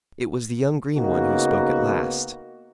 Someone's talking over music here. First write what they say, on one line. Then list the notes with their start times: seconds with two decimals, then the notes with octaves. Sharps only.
It was the young green one who spoke at last.
0.97 C#3 A#3 B3 D#4 F#4